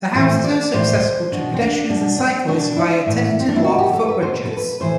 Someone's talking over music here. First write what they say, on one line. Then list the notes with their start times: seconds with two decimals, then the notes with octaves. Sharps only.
The house is also accessible to pedestrians and cyclists via Teddington Lock Footbridges.
0.14 A2 E3 C5
0.44 D5
0.73 A2 E3 C5
1.32 B2 D4
1.54 C4
1.61 D4
1.90 B2 D4
2.18 C4
2.48 B2 D4
2.76 E4
3.06 A2 E3
3.39 C4
3.48 D4
3.56 E4
3.64 B2 F#4
3.78 G4
3.93 A4
4.08 B4
4.22 B2 C5
4.34 B4
4.45 A4
4.57 B4
4.80 A2 E3 C5